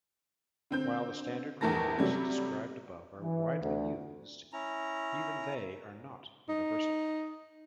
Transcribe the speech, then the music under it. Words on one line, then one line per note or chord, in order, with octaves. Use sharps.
While the standard rules described above are widely used, even they are not universal.
D3 C4 G6
A#1 E2 A3 A#4 A5 A#6
C3 F#3 G3 A3 F#4
E3
D2
C#4 E4 A#5
D#4